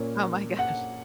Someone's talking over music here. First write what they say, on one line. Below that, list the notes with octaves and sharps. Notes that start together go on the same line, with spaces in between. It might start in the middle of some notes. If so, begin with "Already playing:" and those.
Oh my gosh,
Already playing: A#2 A#3 C#4
F#5